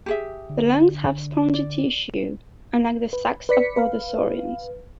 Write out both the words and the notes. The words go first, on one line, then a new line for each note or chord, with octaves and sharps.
The lungs have spongy tissue unlike the sacs of other saurians.
G4 G#4 E5
D3
D5
B4
B4 D5 B6 C#7
B4 F5